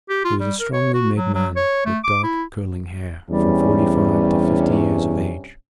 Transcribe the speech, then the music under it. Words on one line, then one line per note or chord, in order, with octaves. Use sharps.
He was a strongly made man with dark curling hair, from forty-five to fifty years of age.
G4
F4
G3
A#4
C#5
F#4
F#3
F#3
C#5
A3
D6
E4
E2 G2 C3 G3 C#4